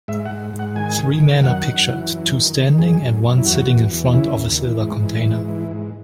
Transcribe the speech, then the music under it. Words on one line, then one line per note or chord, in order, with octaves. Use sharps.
Three men are pictured, two standing and one sitting in front of silver container.
G#2 E5
F#5
G#2
G#2
F#5
D#3 G#5
D#3
D#3
F#2 F#5
F#2
E3
F#2
D#3
D#3
F#2 G#4
F#2
F#2
E4
E2 F#4
E2
E2
C#3 E4
D#2
E3
G#2
E3
G#2
E3
G#2